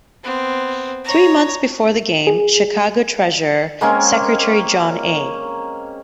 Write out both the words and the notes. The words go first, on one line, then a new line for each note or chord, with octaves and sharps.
Three months before the game, Chicago Treasurer-Secretary John A.
B3 C4
C#5 A#5
G#4
G#3 A#3 C4 C#4